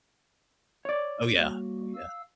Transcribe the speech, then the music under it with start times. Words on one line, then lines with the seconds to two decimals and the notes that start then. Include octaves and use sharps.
Oh, yeah, oh, yeah.
0.85 C#5 D5
1.33 G3 A#3 F#4
1.94 F5 E6